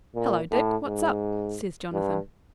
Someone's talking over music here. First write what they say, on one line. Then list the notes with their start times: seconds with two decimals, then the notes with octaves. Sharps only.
'Hello, Dick, what's up?' says Jonathan.
0.15 A#2
0.51 A2
0.86 G#2
1.93 G2